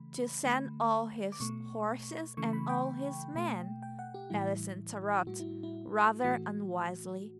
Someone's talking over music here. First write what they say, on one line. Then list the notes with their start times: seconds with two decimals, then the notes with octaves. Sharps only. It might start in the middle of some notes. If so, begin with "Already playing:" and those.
'To send all his horses and all his men,' Alice interrupted, rather unwisely.
Already playing: C#3 E3 A3 B5
0.44 D3 A3
1.32 D6
1.40 B2 A3 C#6
2.37 C#3 E3 A3 C#6
2.53 B5
2.69 G5
3.34 B2 A3
3.82 G5
3.99 F#5
4.14 G4
4.30 A2 E3 G3 E4
5.27 A2 G3 F#4
5.40 E4
5.63 E4
6.24 A2 E3 A3 F#4